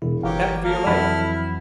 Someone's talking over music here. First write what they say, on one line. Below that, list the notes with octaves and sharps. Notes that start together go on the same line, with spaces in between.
"Back for your life!"
E1 E4
G1 E3 G4 A#4 C#5 F5
A#3 A4 F6
F2 E3 F#3 E4 F#5 B5